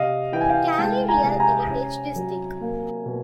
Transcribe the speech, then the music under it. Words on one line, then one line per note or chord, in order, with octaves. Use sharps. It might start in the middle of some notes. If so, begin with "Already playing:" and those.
Calle Real Heritage District.
Already playing: C3 D#5 F5
E3 G5
G#5
F5 G5
G#3 G5 A5
G#5 A#5
C3
G#5 A#5
C#4
F#3
A#3
B2